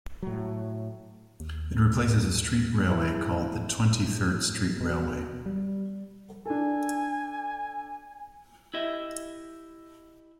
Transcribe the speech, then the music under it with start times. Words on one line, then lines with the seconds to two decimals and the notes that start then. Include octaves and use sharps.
It replaces a street railway called the Twenty-third Street Railway.
0.23 A2 F#3
1.40 D#2
2.92 E4
3.95 A2
4.81 B2
5.46 G3
6.46 D4 A4 G#5
8.74 E4 G4 D#5 E5